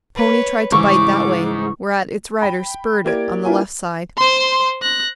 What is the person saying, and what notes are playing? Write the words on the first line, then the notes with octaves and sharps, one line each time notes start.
The pony tried to bite that way, whereat its rider spurred it on the left side.
B4 C#5
G#2 C#3 E3 G3 C#6 D6
G5 B5
A#3 E4 G4 D5 G#6 D7
A#3 D4 E4 F4 B4 G#5
C5 C6
F#6 A#6